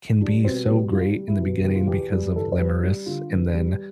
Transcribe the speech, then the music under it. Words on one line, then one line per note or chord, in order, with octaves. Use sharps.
can be so great in the beginning because of limerence and then
G3 D4
B2 C4
G3 B3
G3 F4
G3
E4
B2
E2 G4
F4
E2 G4
G3
E2 A4
C5
G3 B4
G3
D3 F4
E2
G3